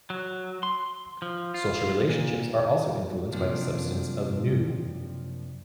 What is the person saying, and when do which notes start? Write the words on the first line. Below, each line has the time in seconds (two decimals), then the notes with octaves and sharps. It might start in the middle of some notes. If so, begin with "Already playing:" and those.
Social relationships are also influenced by the substance of Nu.
0.10 F#3
0.63 C6
1.22 F3
1.54 F4
2.10 A#2
3.32 F#2 C3 F3 A#3 D4